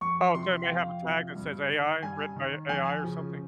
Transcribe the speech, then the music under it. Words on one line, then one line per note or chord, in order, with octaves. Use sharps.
Oh, so it may have a tag that says AI written by AI or something.
F2 C#6
C3 F3 C6
G5
F2 F5
C3 F3
G2
D#3
G2 G#5
D#3
F2 G#5
C#3 F3